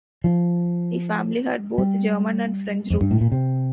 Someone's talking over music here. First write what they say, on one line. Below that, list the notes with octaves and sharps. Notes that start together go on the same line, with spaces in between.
The family had both German and French roots.
F3
G3
F2
G2
A2
A#2
C3